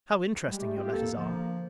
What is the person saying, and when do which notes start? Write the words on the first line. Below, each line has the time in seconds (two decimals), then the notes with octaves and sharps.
How interesting your letters are!
0.46 G3 G#3 G4
0.60 A3
0.77 C4 F4 G4
0.92 E2 A#3 A4
1.16 D3 F3 A#3